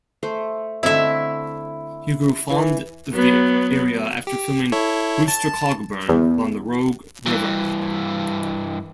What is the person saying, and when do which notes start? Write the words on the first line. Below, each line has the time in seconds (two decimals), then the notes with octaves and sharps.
He grew fond of the area after filming "Rooster Cogburn" along the Rogue River.
0.23 A3 C5
0.83 D3 A3 C4 E4 E5
2.50 E3 G#5
3.13 F#3 B3
4.27 G4
4.72 E4 A4 C#5
5.28 A5
6.09 E2
7.26 G2 E3